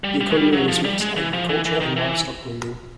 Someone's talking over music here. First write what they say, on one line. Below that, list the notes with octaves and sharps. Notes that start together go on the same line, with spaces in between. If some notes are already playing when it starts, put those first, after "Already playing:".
The economy was mixed agriculture and livestock breeding.
G3
G3
G#3
G3
F#3
F3
G3
G#3
E3
F3
E3
E3
D#3
E3